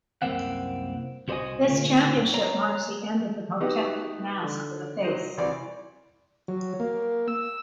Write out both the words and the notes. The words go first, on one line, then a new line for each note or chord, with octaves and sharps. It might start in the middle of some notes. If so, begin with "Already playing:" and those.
This championship marks the end of the protective mask for the face.
C2 F#2 A#3 C4 F#5
C2 F#4 C5 C#5 D#5 G#5
D2 A#2 C#3
C#5 A#5
B3 D#4 F#4 G4
D3
F#3 C5 D#5
C2 E3 D5
F#3
A#3
E6